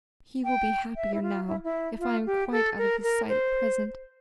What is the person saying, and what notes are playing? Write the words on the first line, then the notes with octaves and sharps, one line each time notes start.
He will be happier now if I am quite out of his sight at present.
G5
E5
E4
F4
E4
E4
F4
G4
A4
A#4
A#4
C5